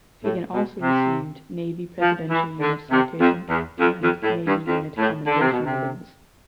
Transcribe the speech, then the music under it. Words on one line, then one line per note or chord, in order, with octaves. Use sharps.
Fegan also received Navy Presidential Unit Citation and Navy Unit Commendation ribbons.
A2
B2
C3
F3
E3
D3
C3
F2
E2
F2
F2
A2
G2
F2
A2
D3
C3
B2
C3